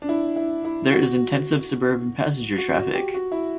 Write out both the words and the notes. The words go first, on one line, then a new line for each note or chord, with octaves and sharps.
There is intensive suburban passenger traffic.
D4
E4
E4
E4
F#4
F#4
F#4
G4
F#4
E4